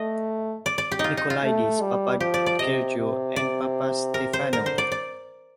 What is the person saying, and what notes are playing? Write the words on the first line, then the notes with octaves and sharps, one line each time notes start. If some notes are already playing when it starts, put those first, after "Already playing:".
Nikolaidis, Papageorgiou and Papastefanou.
Already playing: A3 D#5
D5
D5
G4
D#4
F4
D#4
F4
A3
G3
F3 G4
D5
D5
C3 D#5
C3
C3 D5
A#4
C5
D3 A#4
C5
D5
D5